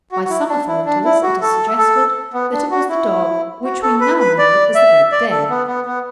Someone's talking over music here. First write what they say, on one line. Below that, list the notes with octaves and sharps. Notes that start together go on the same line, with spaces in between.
By some authorities it is suggested that it was the dog which we now know as the Great Dane.
F#4
F#4
E4
D4
E4
D4
E4
F#4
A4
A4
B3
D4
F#4
E4
F#4
A4
B4
B4
D5
E5
D5
A4
B3
B3
B3